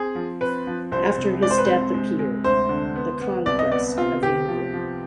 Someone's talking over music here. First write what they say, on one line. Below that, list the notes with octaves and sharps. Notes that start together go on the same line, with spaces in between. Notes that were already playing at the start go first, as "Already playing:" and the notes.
After his death appeared "The Conquest of England".
Already playing: C4 G#4
F3
C4 B4
F3
C2 C5
C3
G#3 D5
C5
B4
C3 C5
G#3
G#3
D2 C5
D3
B3
B3
C2 D5
D#5
B3 D5
C3 F4
C3 G4
F3
F3